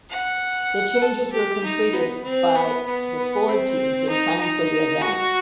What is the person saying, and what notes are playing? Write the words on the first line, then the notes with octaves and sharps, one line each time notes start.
The changes were completed by the Ford teams in time for the event.
F#5
A4
G4
D#4
B3
C4
B3
B3
C4
D#4
D#4
F#4